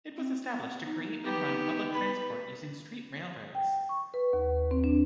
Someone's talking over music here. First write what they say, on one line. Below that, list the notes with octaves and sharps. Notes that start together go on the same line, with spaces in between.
It was established to create and run public transport using street railroads.
C4
B3
D#4
B3 G4
B4 B5
G5
C#6
B4
D#2
C4
D4